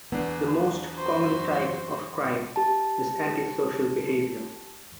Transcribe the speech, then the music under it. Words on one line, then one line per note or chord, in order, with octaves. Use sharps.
The most common type of crime is anti-social behaviour.
E2 B3 D4
F#2 E3 F#4 C5
G4 A5